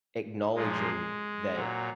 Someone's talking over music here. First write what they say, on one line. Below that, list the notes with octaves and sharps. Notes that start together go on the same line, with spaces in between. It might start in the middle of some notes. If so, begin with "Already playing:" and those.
acknowledging that
A#2 F3 G#3
A#2 F#3